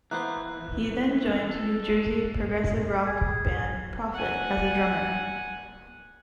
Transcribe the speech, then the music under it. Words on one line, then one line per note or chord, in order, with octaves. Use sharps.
He then joined New Jersey progressive rock band Prophet as a drummer.
E3 A#3 B3 C5 F#6
A4
G#4
F#5 G#5